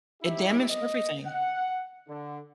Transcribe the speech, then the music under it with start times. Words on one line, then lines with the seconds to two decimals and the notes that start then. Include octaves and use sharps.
it damaged everything.
0.22 D#4 E4 G4 E5
0.69 D#5
1.26 F#5
2.08 D3